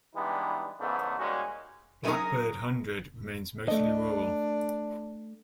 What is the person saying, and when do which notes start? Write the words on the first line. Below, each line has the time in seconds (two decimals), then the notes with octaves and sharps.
Blackbird Hundred remains mostly rural.
0.15 E3 G3 G#3 B3 D4 D#4
0.80 E2 G#2 C#3 A3 B3
1.17 G3 G#3 A#3 C#4 D#4 F#4
2.04 F#3 A3 C#4 D#4 G#4 A#4
3.68 A3 D4 D#5